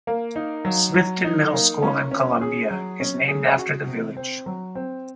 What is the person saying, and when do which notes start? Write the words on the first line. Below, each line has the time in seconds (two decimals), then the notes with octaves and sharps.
Smithton Middle School in Columbia is named after the village.
0.07 A#3
0.36 D#4
0.65 F#3
0.94 F#3
1.24 D#4
1.53 A#3
1.83 C#4
2.11 C#4
2.41 G#4
2.71 F#3
3.00 C#4
3.28 G#4
3.57 F#4
3.87 C3
4.17 C4
4.46 F#3
4.75 C4